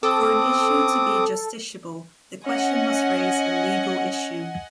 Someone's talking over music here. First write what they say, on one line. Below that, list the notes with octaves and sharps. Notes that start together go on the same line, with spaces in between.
For an issue to be justiciable the question must raise a legal issue.
C4 A4 D6 D#6
C#4 D#5 F#5 G#5